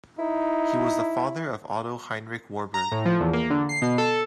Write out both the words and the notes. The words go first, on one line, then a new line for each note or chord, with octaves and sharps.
He was the father of Otto Heinrich Warburg.
D#4 E4
A#5
A2
F3
E2
A#3
D3
C7
B2
A4